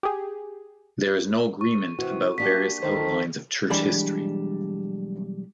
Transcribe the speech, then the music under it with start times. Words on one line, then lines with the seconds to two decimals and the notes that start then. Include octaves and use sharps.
There is no agreement about various outlines of church history.
0.03 G4 G#4
1.61 C#6
1.99 C3 E3 F#4
2.38 A#3 D4 G4 B6
2.83 D2 D#3 A4 C5
3.70 B1 E3 G3 G#3 D4 B5